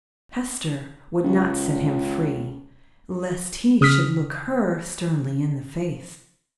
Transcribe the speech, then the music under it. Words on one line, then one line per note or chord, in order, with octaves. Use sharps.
Hester would not set him free, lest he should look her sternly in the face.
C#2
C#3 D#6 F6 B6